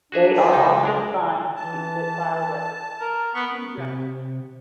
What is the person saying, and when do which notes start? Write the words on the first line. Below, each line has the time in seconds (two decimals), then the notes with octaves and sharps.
They are also signed to Spitfire Records.
0.12 D4 F#4 G#4 E5
0.34 D3 D#3 B3 D4
0.53 C#2 D#4 B4
0.83 G#3 D4 G#4 A#4
1.56 E3 A5
3.00 A#4
3.34 B3 C#6
3.78 C3